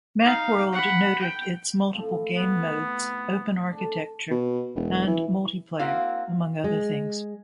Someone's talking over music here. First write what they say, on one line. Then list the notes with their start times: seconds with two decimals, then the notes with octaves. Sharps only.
Macworld noted its multiple game modes, open architecture, and multiplayer, among other things.
0.22 D#4 F5
0.73 F#5 B5
1.19 G5
1.93 A2 F3 C4
2.36 B3
3.71 D4 A4
4.31 B2
4.75 E1
5.07 E3
5.79 A#3 C4 E4 F#4 F5
6.64 G#3